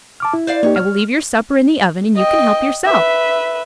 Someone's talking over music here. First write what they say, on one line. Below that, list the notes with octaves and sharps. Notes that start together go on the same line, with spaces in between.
I will leave your supper in the oven and you can help yourself.
A5 D6 F6
E4
C5 D5 F5
A#3 D#4 G4 C#5
F6
D#5 G5
B4 E5